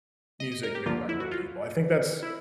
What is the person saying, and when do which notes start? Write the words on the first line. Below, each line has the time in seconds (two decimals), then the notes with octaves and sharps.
music made by real people. I think that's
0.40 D#5
0.52 D#5
0.63 A#4
0.75 G4
0.86 D2 D3 F3 A#3 F4
1.09 E4
1.20 F#4
1.31 F4
2.23 E4